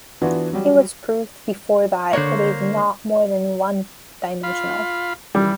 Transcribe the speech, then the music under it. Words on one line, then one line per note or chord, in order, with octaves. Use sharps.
It was proved before that it is not more than one-dimensional.
E3 B3 D4 F4 F#4
F#3 G3
D3 A#3 D4 C5 C#5 C#6
F4 F5 B5
E3 G3